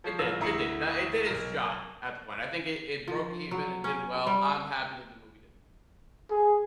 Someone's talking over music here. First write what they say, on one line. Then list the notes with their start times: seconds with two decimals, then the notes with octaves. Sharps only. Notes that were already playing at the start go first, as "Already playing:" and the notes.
It did it did. That it did its job at the point. I think it it broke even. It did well. I'm happy that the movie did well.
0.04 F3 C#5 C7
0.19 A1 F4 E6
0.40 D2 E4 A#5 C7 C#7 F#7
1.26 B1 A#4
3.08 F3
3.51 F#3
3.84 C#4
4.27 G3
6.30 G#4